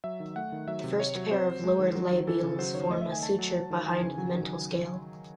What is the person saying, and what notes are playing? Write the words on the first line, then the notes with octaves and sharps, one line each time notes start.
The first pair of lower labials form a suture behind the mental scale.
F#3 E5
D#3
A3 F#5
D#3
F#3 E5
C3
C4 C#5
F#3
C4 C5
F#3
G#3
D#3
F#3
D#3
E3 A4
C#3
F#3 C5
D#3 C#5
A3 D#5
E5
D#3
G#5
A3 A5
F#3
F#3
D#3
E3 G#5
C#3
F#3
D#3